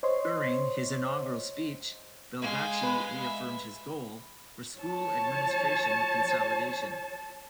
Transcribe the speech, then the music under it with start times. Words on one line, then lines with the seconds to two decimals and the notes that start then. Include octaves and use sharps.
During his inaugural speech, Baldacci reaffirmed his goal for school administration consolidation.
0.03 C5 C#5 D#5 C6
2.42 G#3 F5
2.83 B4
3.22 E5
4.79 C#5 A5